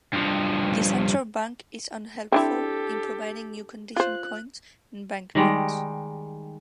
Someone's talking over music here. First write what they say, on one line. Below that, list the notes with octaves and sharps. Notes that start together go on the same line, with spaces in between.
The Central Bank is unhelpful in providing new condition coins and banknotes.
G2 F3
C4 D4 E4 G4 A4
F4 C5 F#6
D#3 G3 G#3